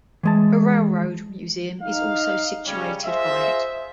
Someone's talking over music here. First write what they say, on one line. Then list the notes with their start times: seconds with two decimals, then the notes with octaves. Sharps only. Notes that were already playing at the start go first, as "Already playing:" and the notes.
A railroad museum is also situated by it.
0.23 E3 G#3 A5
1.82 D#4 F5
2.66 C#3 G3 C#4
3.05 F4 G#4 C5 D#5 E5